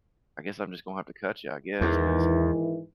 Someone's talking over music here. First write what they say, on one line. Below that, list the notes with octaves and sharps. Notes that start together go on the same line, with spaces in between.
I guess I'm just gonna have to cut ya, I guess, 'cause,
E2 G#2 D#3 E3